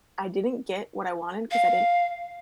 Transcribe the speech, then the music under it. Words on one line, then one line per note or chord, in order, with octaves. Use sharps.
I didn't get what I wanted 'cause I didn't
F5